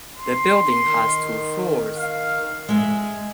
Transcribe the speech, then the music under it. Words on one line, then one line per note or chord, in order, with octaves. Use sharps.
The building has two floors.
C6
D#3
F5
G#3 E5